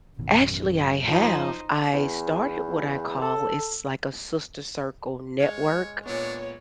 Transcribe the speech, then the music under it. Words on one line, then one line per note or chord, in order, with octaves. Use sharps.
Actually, I have. I started what I call it's like a sister circle network,
A1 F#2 B2 D#3
F3 D#4 C5
E2
A4
G#3 C#5 F5
A#2 B3 D4 C#5